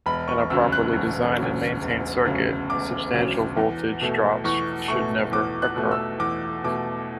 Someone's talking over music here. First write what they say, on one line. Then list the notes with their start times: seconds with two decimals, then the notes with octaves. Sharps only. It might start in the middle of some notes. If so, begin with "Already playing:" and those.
In a properly designed and maintained circuit, substantial voltage drops should never occur.
0.06 E1 B5
0.28 C#6
0.50 D2 C#3 F#3 E6
0.72 F#6
0.94 E1
1.38 D2 C#3 F#3
1.82 E1
2.25 D2 C#3 F#3
2.69 E1 D6
3.13 D2 C#3 F#3
3.57 E2
4.01 B2 A3
4.44 E2 C#6
4.88 B2 A3 C#6
5.32 E2 D6
5.62 F#6
5.76 B2 A3
5.91 E6
6.19 E2 D6
6.64 B2 A3 D6